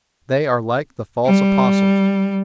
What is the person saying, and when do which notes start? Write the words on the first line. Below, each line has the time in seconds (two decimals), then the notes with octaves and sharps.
They are like the false apostles.
1.25 G3